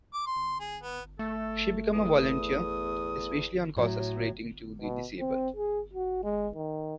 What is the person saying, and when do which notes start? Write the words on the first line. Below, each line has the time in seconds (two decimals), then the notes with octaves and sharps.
She became a volunteer, especially on causes relating to the disabled.
0.13 D6
0.27 C6
0.60 G#4
0.83 B3
1.19 A3 A4
1.94 E2 D#6
3.77 A2 F#3
4.81 B2
5.19 C4
5.56 G#4
5.94 F#4
6.23 G#3
6.55 D#3